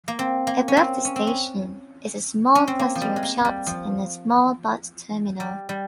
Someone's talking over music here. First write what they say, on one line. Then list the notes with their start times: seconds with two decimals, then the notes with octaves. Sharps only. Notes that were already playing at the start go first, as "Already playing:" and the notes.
Above the station is a small cluster of shops and a small bus terminal.
0.08 A#3
0.19 C4
0.47 A#3
0.68 C#4
0.77 C4
1.05 C#4
1.16 C4
1.27 C#4
2.55 C#4
2.68 C4
2.79 A#3
2.95 F3
3.02 G3
3.16 G#3
3.23 A#3
3.45 G3
3.67 F3
5.40 G3
5.69 G3